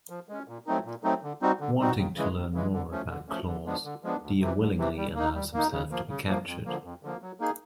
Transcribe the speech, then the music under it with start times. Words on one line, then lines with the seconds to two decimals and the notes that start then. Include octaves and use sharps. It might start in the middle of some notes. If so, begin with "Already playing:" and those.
Wanting to learn more about Claus, Dio willingly allows himself to be captured.
0.10 F3
0.29 G#3 C#4
0.48 A#2
0.67 F#3 A3 C4 D#4
0.85 A#2
1.04 F#3 A3 C4 D#4
1.23 D3
1.42 G3 C4 D#4 F#4
1.60 D3
1.79 G3 C4 D#4 F#4
1.97 D#2
2.16 C#3 E3 G#3
2.35 D#2
2.54 C#3 E3 G#3
2.72 D3
2.91 F3 A3 C#4
3.09 D3
3.28 F3 A3 C#4
3.47 D3
3.66 F3 G#3 B3 D4
3.84 D3
4.03 F3 G#3 B3 D4
4.22 D2
4.41 C3 E3
4.59 D2
4.78 C3 E3
4.97 G3
5.15 A#3 D#4
5.34 G3
5.53 A#3 D#4
5.72 C#3
5.91 F3 A#3
6.09 C#3
6.28 F3 A#3
6.47 F2
6.65 D3 F3 A#3
6.84 F2
7.03 D3 F3 A#3
7.22 F#3
7.40 A#3 D#4 G#4